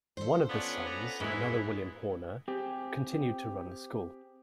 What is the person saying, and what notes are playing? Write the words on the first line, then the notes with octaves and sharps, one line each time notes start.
One of the sons, another William Horner, continued to run the school.
A4 C5
B3 C#4 D4 F4 C#5
B4 A#5
G#2 E3 G#3 B3 E4
C4 G4 G#4